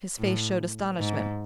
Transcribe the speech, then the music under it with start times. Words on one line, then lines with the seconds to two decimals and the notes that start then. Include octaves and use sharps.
His face showed astonishment.
0.18 A2
0.99 G#2